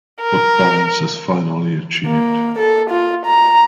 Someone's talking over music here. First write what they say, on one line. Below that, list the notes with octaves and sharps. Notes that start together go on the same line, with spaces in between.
But balance is finally achieved.
A#4
A#3
A4
F4
A#5